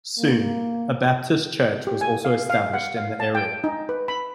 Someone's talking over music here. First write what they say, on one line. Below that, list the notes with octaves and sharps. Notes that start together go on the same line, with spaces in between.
Soon, a Baptist church was also established in the area.
A#3
G4
G#5
F5
F5
F#5
F5
A5
G5
D#4
B4
B5